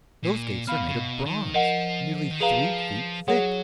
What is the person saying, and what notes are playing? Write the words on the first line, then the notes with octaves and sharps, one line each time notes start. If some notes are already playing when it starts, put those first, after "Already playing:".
Those gates are made of bronze, nearly three feet thick!
A#2
B2 F5 B5 F6
C#3
B2
D#3
F3 A#4 D#5 F#5
D#3
F3 G#4 B4 F5 A#5
F#3 G#4 C#5 F#5